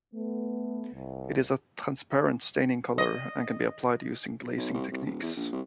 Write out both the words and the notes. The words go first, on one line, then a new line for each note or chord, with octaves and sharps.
It is a transparent staining color and can be applied using glazing techniques.
A3 B3
C2
D#5
B1
C2
C2
D#1
E2
A#1
C2